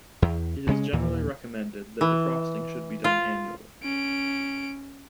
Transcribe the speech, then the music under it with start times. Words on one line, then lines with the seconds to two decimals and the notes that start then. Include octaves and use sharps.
It is generally recommended that defrosting should be done annually.
0.22 E2
0.67 G2 C#3 G#3 C#4
0.93 D#2 A#2 E3
2.01 E3
3.04 F4
3.84 C#4 D7